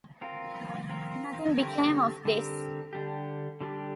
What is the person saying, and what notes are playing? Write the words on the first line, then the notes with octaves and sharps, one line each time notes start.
Nothing became of this.
C4 F4 A#4
C4 F4 A#4
D3 G3 C4 G4 A#4
D3 G3 C4 G4 A#4
D3 G3 D4 G4
D3 G3 D4 G4